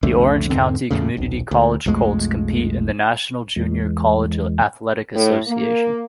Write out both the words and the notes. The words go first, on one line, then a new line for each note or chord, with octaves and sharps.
The Orange County Community College Colts compete in the National Junior College Athletic Association.
C2 F2 D3 A3
E2 G#2 D3 C4
E2 A2 C#3
D#1 B1
D2
B1 F2 G#3 A3
E2 E3 G#3
A2
A#3